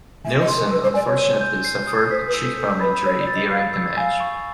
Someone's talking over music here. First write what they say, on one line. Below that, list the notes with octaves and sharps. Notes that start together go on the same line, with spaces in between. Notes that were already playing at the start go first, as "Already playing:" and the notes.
Neilson unfortunately suffered a cheekbone injury during the match.
E5 G#5
D#5
C6
A#4
B4 E6
C5
D5 G#5
C#5
D#7
G6
C7
D#6
C5 B6
B4
E6
A4
A4 G6
B4 B5
C#5 E6
D5
A6
D#5
F5 C7
E6
F5 G#5
C#6